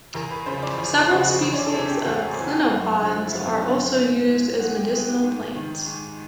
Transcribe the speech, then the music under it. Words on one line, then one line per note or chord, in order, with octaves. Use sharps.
Several species of clinopods are also used as medicinal plants.
E2 A#4
B4
C#3 F3 C5
D5
E2
C#3 F3 D#5
E2
C#5
D5
A4
C3 E3 G#4
G4
E2 F#4
C3 E3
F#2
D3 F3
E4
F#2 F4
D3 F3
G#2
E3
G#2 F#4
G4
E3 G#4
G4
G#2
D#3
G#2